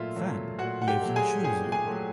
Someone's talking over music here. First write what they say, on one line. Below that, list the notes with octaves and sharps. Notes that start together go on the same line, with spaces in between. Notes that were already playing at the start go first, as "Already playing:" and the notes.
Fan lives in Suzhou.
Already playing: A#2 F#3 A3 F4 E5
F#3 A3
A#2 F#4 F#5
F#5
G4 G5
F#3 A3
G#4 G#5
A#2 G#4 G#5
G#4 G#5
F#3 A3